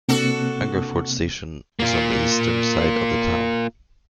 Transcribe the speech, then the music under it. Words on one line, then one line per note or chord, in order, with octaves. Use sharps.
Hungerford station is on the eastern side of the town.
C3 A#3 C4 D4 F#4 A4
A#3 F4